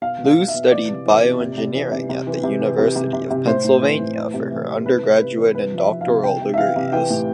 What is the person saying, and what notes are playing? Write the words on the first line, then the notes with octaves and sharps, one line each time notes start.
Lu studied bioengineering at the University of Pennsylvania for her undergraduate and doctoral degrees.
B2 F5
B2
F5
B2
E5
B2
E3 D5
C3
E3
C3
C3
C3
E3
C3
C3
E3
C3
E3
C3
C3
C3
C3
A2 C5
A2
E3
A2
E3
C3
E3
E3
C3 B4
C3
C3 B4
E3
C3 B4
F3
E5
F3
F5
C3
C3 G5
C3
E5
E3 F5
C3
E3 G5
A2